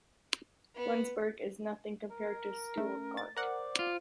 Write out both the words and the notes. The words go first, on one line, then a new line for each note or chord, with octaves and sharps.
Flensburg is nothing compared to Stuttgart.
B3
A#4
A3 C#4
A6
A#4 C5 D5 F#5
F4